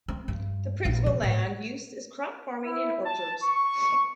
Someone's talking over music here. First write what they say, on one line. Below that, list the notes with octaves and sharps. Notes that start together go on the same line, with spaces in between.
The principal land use is crop farming and orchards.
C4
G2
A#1
C3
A2
E4
A5
C#6